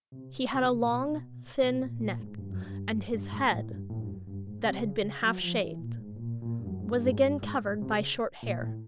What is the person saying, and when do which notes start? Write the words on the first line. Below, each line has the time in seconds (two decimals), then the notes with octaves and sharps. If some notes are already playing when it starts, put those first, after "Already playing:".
He had a long thin neck, and his head, that had been half shaved, was again covered by short hair.
0.12 C3
0.54 C3
0.62 C#3
0.82 A#2
0.87 B2
1.63 B2
1.82 A#2
2.01 A#2
2.20 G#2
2.38 G2
2.50 F#2
2.62 G2
3.14 G2
3.33 G#2
3.52 A2
3.71 G2
3.89 A2
3.99 G2
4.08 F#2
4.27 G2
4.46 G#2
4.65 C3
4.84 C#3
5.02 C#3
5.22 F#3
5.40 F3
5.59 E3
5.78 A#2
5.97 G#2
6.16 A#2
6.42 A#2
6.60 G2
6.67 F#2
6.80 G#2
6.92 G2
7.06 G#2
7.17 G2
7.42 G#2
7.67 G#2
7.82 C3
7.92 C#3
8.43 A#2
8.61 A2